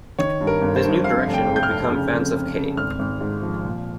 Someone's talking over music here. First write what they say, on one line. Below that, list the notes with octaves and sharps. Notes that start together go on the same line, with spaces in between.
This new direction would become Fans of Kate.
D#3 C#5
G2
A#4
G1
C5
G2
F2 F5
F1
G5
F2
G6
F6
F1
C#3
F2
F2
C#3
G#1 F6
G#1
G#2
F3
A#2